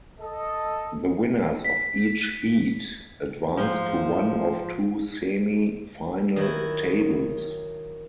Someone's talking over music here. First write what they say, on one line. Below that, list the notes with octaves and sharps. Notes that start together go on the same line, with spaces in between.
The winners of each heat advance to one of two semi-final tables.
A4 D#5
B6
G#2 F3
D#3 F#3 E4